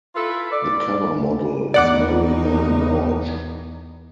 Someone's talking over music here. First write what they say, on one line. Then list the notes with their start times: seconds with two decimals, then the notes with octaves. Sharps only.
The cover model is Mary Ann Walsh.
0.16 E4 F4 A4 B4 E5
0.52 D5
1.74 E2 D#4 D5 F#5 D6